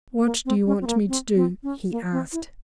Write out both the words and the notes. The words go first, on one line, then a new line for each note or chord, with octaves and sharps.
"What do you want me to do?" he asked.
A#3
C4
C#4
C4
A#3
C4
C4
C#4
A#3
C4
E4